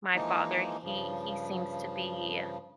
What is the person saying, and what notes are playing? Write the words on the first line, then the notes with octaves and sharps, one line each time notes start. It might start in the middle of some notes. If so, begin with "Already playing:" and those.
My father, he he seems to be
E3 F3 G#3 A#3 D#4
G2 C#3 F3